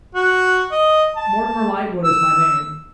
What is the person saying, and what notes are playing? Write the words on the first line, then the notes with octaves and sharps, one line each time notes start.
'Mortimer Lightwood is my name.
F#4
D#5
A5
E6